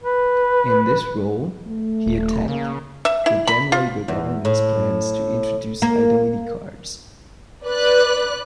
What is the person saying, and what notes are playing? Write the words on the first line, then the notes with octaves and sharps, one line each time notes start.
In this role, he attacked the then Labour government's plans to introduce identity cards.
B4
A3
D#1
C#3 A#3
E5
E4
B5
F4
E2
A2
A#3
B4 D5 F#6